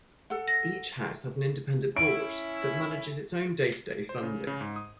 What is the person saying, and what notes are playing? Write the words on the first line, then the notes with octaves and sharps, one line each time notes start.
Each House has an independent board that manages its own day-to-day funding.
A4 F#5
A#6
C#4 E4 D7
C5
C#3
C#3
G#2
D#6